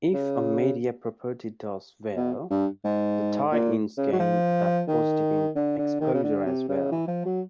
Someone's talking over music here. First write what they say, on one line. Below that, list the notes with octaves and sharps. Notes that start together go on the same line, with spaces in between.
If a media property does well, the tie-ins gain that positive exposure as well.
C#3
B2
G2
G#2
A#2
C#3
F#3
F3
D#3
D3
D3
D#3
C#3
D3
C3
C#3
E3
F3
F#3